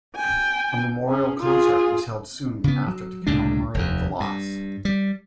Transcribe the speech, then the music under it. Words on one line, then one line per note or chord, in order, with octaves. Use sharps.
A memorial concert was held soon after to commemorate the loss.
G5 G#5
C#4 G#4
F4 G#4
C#3 B3
F#3
C#2 C3 G#3 D4
F1 D#2
G2
G3